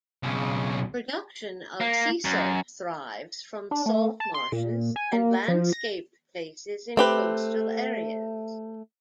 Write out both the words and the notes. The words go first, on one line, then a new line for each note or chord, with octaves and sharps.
Production of sea salt thrives, from salt marshes and landscaped places in coastal areas.
B1 C#3
A#3
F#2
D4
A3
A5
C6
A#2
G#5
A#3
F3
A#6
A3 C4 G4 B4